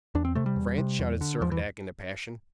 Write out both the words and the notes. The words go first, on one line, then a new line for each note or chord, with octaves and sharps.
"France!" shouted Servadac in a passion.
E2 D4
C4
C3 A3
G3
E2
C3
E2
D3
E2 F3
E3